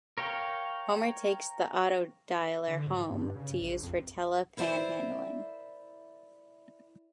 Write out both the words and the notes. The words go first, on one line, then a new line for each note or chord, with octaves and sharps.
Homer takes the autodialer home to use for tele-panhandling.
A#4 C#5 F5 G5
D3
G#2
G2
C#3
A#1
F2
E4 A#4 C5 D5 E5